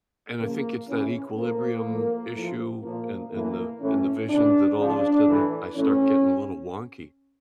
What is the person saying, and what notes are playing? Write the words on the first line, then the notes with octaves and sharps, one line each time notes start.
and I think it's that equilibrium issue and and the and the vision that all of a sudden I start getting a little wonky,
C#3 F3 A#3
C#3 E3 C#4
A2 F3 A#3
A2 F3
A2 F3
A#2 F3 A#3
A2 E3 A#3
A2 E3 C#4
C#3 E3 D4
C#3 F3 D4
A2 E3
A2 E3 C#4